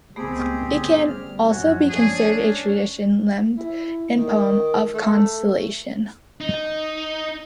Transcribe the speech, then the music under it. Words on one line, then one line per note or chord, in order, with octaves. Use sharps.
It can also be considered a traditional lament and poem of consolation.
C#2 D#3 A3 B3 C4 G4 G#4
G1 C#3 C#4
G3 F6
F#2 F3 C#4 F#4
G2 C#4 D4 G#4
E4
D#3
A3
D#4